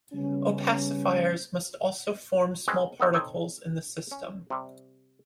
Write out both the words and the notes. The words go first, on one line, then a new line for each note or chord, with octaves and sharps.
Opacifiers must also form small particles in the system.
C#3 G3 B3 C#4
G#3 C4 C#4 F#4 B4
B3 D#4 A4 A#4
C4 D#4 A4 C#5
C#4
C3 G3